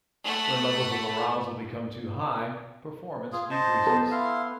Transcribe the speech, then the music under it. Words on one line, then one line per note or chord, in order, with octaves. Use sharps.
When levels of arousal become too high, performance decreases.
A3 F#5
F4 G#4
C5 D#5 A5
B3 A4
E4 F5 C6